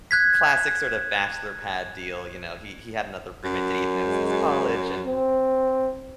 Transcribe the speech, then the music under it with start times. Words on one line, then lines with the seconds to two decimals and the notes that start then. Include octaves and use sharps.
classic sort of bachelor pad deal, you know, he he had another roommate that he had known since college, and
0.11 F#6 G#6 B6
3.44 F#2
4.05 G#3
5.06 C4